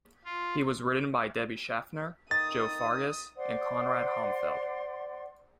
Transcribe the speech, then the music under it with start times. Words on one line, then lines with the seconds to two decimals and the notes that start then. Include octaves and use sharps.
He was ridden by Debbie Shaffner, Joe Fargis and Conrad Homfeld.
0.25 F4
2.31 D#3 D#6 A6
3.36 C5 D5 F#5 C6